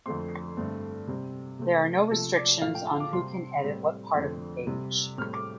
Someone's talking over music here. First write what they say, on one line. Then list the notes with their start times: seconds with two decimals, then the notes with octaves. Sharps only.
There are no restrictions on who can edit what part of the page.
0.06 F2 D3 A3 C4 C6
0.57 G2 D3 A3 C4
1.08 C3 G3 C4
1.59 C3 A3 C4
2.10 C3 F3 A3 A4
2.36 D5
2.62 A2 F3 A3 F5
2.75 G5
2.87 A5
3.00 D6
3.13 C3 G3 C4 C6
3.64 A2 G3 C4
4.15 F2 D3 A3 C4
4.67 C3 G3 C4
5.18 A2 G3 C4 F6
5.34 D6